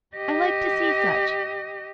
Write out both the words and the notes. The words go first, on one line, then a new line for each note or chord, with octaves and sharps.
I like to see such.
G4 D#5